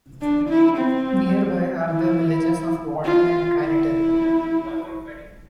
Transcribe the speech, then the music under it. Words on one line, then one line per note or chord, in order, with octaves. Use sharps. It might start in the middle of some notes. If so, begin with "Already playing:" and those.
Nearby are the villages of Walton and Kineton.
D4
E4
C4
E4
F4
E4